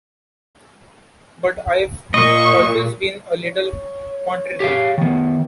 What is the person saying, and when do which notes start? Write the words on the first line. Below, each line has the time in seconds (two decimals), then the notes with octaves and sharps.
But I've always been a little contrary.
2.14 A#2 D#5 C#6
3.45 C#5
4.60 G4 G#4 F5
4.98 D#3 B3